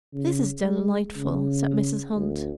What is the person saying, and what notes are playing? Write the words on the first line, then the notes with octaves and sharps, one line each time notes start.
"This is delightful," said Mrs. Hunt.
C#3
G#3
C#3
D2